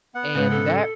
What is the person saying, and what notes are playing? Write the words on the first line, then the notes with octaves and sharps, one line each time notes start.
and that
B3 F#5
G#2 C#3 B4
A4